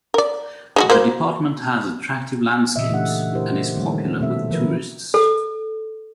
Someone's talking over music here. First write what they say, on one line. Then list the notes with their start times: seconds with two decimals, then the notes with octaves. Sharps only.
The department has attractive landscapes and is popular with tourists.
0.14 A#4 D5
0.76 G#3 D#4 F#4
0.90 A#3 F#4 C5
2.76 A#2 C#3 E3 D#5 E5
2.90 E3 A3 D4 G4 F#5
3.32 D4 E4 G4 A#4 C5
3.76 D#3 F3 G3 A3 A#3 C#4
4.20 B2 A3 C#4 A4 E5
4.50 D3 E3 F3 A#4 B4
5.14 A4